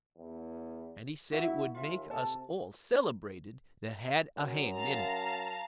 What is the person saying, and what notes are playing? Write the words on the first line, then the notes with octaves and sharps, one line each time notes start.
And he said it would make us all celebrated that had a hand in it.
E2
E4 F#4 E5 F#5
D#2 F4 E5
C3 A4 A5
F#2
F5 A5 A#5